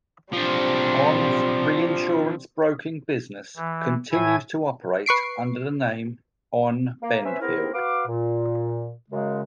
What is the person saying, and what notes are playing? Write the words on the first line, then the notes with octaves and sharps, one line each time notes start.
Aon's reinsurance broking business continues to operate under the name Aon Benfield.
C3 F3 G3 D4 C5
E3
A2 E4 G#5 G#6
B4 C#6 C7 D7
A#3
C#4 B4 C5 E5
B3 C4 E4 G#4 A#4
F#4 B4 F5 D6
A#2
F#2 C#3 G#3